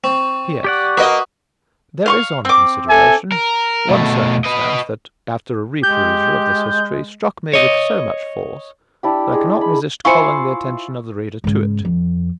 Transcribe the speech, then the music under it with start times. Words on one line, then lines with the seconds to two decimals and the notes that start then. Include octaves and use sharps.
P.S.--There is on consideration one circumstance that, after a reperusal of this history, struck me with so much force that I cannot resist calling the attention of the reader to it.
0.04 C4 C#6
0.64 G4 D5 F#5
0.97 A#3 F#4 B4 D#5 D#6
2.06 F5 C6 C#6
2.45 C4 D6
2.88 A4 E5 G#5
3.32 A#4
3.89 B2 A3
4.44 B4 D#5
5.83 G#3 G4 G6
7.53 C#5 D#5
9.03 D4 E4 G4
9.32 G#3 G#4
9.61 B5
10.05 E4 F4 C5 G#5 C#6 C#7
11.44 G#2 C#3
11.85 F2